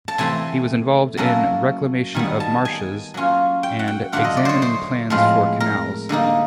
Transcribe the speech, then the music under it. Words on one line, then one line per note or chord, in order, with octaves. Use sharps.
He was involved in reclamation of marshes and examining plans for canals.
A5
C3 E3 A3 C4 G#5
F#3 A#3 C#4 E4 A5
D#3 G3 B3 D#4 G#5
A5
G#5
F#3 A#3 C#4 F4
G5
F#5
G5
D3 F#3 A3 D4 F4 F#5
D#5
D5
C5 C#5
C5
A2 F3 G#3 C4 F4
A#4
D3 G3 A#3 D#4